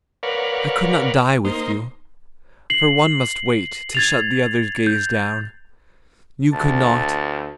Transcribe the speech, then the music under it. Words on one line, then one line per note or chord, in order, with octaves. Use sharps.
I could not die with you, For one must wait To shut the other's gaze down, -- You could not.
A#4 B4 C#5 D5 F5 F#5
A#3 D#4 C5
C7 F#7
G#6 A6 F7
G6
D2 A5